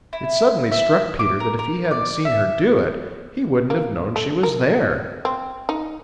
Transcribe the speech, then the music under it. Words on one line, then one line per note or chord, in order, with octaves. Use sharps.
It suddenly struck Peter that if he hadn't seen her do it, he wouldn't have known she was there.
E4
E5
D6
A#4
A#4
D5
E5
A#3
A3
A#4
C4
D#4